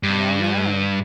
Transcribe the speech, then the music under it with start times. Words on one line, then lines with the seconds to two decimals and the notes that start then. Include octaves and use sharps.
I don't know.
0.03 G2